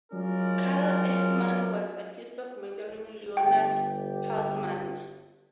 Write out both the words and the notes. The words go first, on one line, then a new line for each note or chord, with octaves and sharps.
Karl Ehmann was accused of murdering Leonhard Hausmann.
F#3 G#3 C#4 F4 A#4 D5
G1 G4 G5